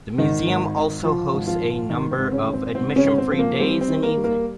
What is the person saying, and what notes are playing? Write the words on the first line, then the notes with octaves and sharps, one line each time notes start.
The Museum also hosts a number of admission-free days and evenings.
G#1 D#3 D#4
G#1
G#1
F3 F4
G#1
F3 F4
G#2
G#1 D#3 D#4
C4
G#1
C#3 C#4
G#1
C4
G#1 C4
C#3 C#4
G#1
C4
F3 C4
A#3
G3 C4
C4
D#3
A#3 A#4
G3
A#3 A#4